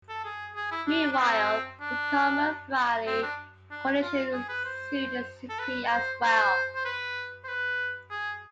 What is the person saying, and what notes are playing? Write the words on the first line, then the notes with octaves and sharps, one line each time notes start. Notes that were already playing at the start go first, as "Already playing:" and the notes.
Meanwhile, the Carmel Valley Coalition sued the city as well.
A4
G#4
G#4
E4
D4
D4
C4
D4
C4
D4
D4
F4
G#4
B4
C5
A4
B4
C5
C5
C5
B4
C5
B4
G#4